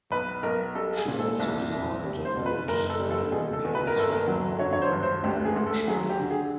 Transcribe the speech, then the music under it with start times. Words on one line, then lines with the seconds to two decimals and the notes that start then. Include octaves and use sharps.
She also designed and built iron gates for her home in Warwickshire.
0.12 B1 B4
0.43 B1 A#4
0.75 G3 A4
0.97 G#4
1.08 A#2
1.19 A4
1.40 C2
1.72 C2
2.04 G3
2.25 C5
2.36 B2
2.46 B4
2.68 F#1 A#4
2.90 A4
3.00 G3
3.10 A4
3.32 B2 G#4
3.53 A4
3.64 E2
3.75 B4
3.87 A#4
3.96 G1 A4
4.12 A#4
4.28 F#3
4.59 D3 C#5
4.73 C#5
4.82 C5
4.92 G2
5.03 C5
5.24 D2 G4
5.45 G#4
5.56 D2
5.67 A4
5.88 F#3 G#4
6.09 G4
6.20 D3
6.30 G#4